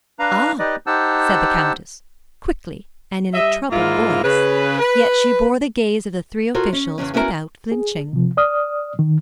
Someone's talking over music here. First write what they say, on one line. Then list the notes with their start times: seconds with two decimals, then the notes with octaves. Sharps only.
"Ah!" said the Countess, quickly and in a troubled voice, yet she bore the gaze of the three officials without flinching.
0.19 D4 B4 F5 A#5
0.59 D#4 G4 B4 D5 D#5
0.87 D#4 G4 C5 F#5 A5 E6
3.33 G3 D#5 E5
3.70 G#2 A#3 E4 F4
4.24 C#3 B4
4.79 B4
6.55 F4 F#4 A4 A#4 C#5
6.73 C#4
6.98 E2 G2 C#3 C#4
7.14 B3 C#4 E4 F#4 G4 A#4
7.72 G#4
8.13 C3 F3
8.37 D5 D#6 F6
8.99 D#3